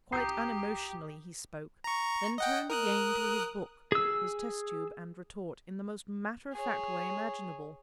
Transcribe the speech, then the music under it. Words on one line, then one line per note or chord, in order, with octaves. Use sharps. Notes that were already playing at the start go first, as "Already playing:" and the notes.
Quite unemotionally he spoke, then turned again to his book, his test-tube and retort, in the most matter-of-fact way imaginable.
C#2 G4 A#5 D#6 G6 C7
A#5 C#6
D#5 F#5 G5
A#4 D#6 F#6
G#4 E6
G#4 C#5